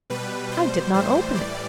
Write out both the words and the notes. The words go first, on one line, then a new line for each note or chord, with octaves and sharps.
I did not open it.
B2 G3 B4
C5
A2 E3 G3 C5
D5